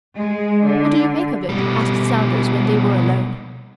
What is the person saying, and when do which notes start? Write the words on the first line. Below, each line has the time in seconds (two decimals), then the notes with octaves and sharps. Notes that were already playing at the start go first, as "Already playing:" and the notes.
"What do you make of it?" asked Saunders when they were alone.
0.16 G#3
0.65 D3
1.49 B2 G3